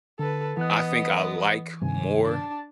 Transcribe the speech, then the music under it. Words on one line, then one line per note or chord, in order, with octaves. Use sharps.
I think I like more
D3 A4 B4
E3 B3 D#5 F#6
G2 C3 D#3 G#5
D4 A5